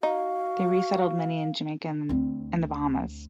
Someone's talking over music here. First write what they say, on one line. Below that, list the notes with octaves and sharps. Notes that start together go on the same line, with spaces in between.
They resettled many in Jamaica and the Bahamas.
D#4 F#4 F5
D2 C4